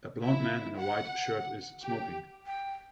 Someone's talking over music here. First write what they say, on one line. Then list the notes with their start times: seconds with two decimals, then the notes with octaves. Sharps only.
A blond man in a white shirt is smoking.
0.24 E4
0.78 F#5
1.83 G4
2.46 G5